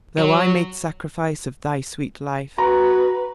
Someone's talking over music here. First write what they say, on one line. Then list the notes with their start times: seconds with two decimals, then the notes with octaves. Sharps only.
Though I made sacrifice of thy sweet life.
0.18 F#3
2.58 F#4 B4 A#5